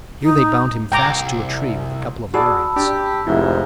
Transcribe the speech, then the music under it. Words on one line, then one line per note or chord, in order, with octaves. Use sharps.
Here they bound him fast to a tree with a couple of lariats.
D#4
C2 G#2 G5 A#5 D6
F#4 G#4 D5 A5 B5 E6
D4 G4 D5
F1 G#2 E4